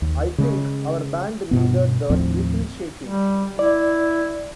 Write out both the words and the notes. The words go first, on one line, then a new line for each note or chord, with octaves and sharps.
I think our band needed that little shaking.
D#2
C#3 G#3
G2 B2 B3
D#2 A2 F3 C4
G3
E4 D5